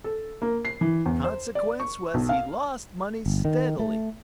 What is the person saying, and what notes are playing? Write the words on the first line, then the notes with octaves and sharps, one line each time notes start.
Consequence was he lost money steadily.
A4
A#3
C7
E3
E2
C5
D5
C#6
B1
F5
G1
D#3
A3